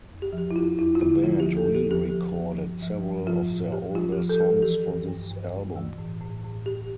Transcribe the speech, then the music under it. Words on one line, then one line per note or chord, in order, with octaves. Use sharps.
The band re-recorded several of their older songs for this album.
F2
G4
F3
G4
E4
E2 F4
E2 E4
F4
D3 E4
F3 F4
G4
F3
A4
E2
G4
F3 G4
F3
F3
G2
F3
G2
F3 F4
A2
F3 G4
F3 F4
G4
F3
A4
F3
A4
E3 G4
G2
G2
G2
G2
E3
A2
A2
A2
A2 G4